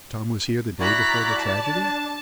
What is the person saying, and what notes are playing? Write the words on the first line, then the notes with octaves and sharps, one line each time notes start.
"Tom was here the day before the tragedy?"
E4 F#4 D5 A#5 F#6 B6
A5
D4